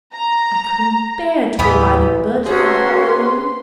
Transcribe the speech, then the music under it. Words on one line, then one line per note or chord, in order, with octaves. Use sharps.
I couldn't bear to go by the Birch Path all alone.
A#5
A1 D#2 E3 B3 G4 B5
C3 C#4 F#4 G#4 B4 C6